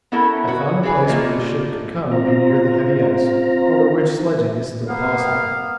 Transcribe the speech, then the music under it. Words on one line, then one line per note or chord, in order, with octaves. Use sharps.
I found a place where the ship could come and be near the heavy ice over which sledging is still possible.
B3 C#4 E4 A4 A#4
F#4 B4 C#5
E3 E4 G#4 B4 G#5
G3 A3 A#3 F4 D#5
C4 F4 A#5
A#3 B3 F5